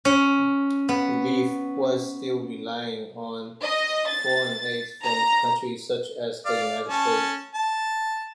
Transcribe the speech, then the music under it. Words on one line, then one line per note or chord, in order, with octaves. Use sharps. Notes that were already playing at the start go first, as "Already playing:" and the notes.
Relief was still relying on foreign aid from countries such as the United States.
C#4
B3
D#5
A6
A#5
D5 F5
C#4 A5
A5